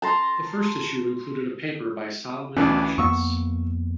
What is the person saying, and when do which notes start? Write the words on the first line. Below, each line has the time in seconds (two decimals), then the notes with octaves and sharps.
The first issue included a paper by Solomon Lefschetz.
0.02 A5 A#5 C6
2.57 D2 E3 C#4 D4
2.98 F2 A#3 B3 C#6 E6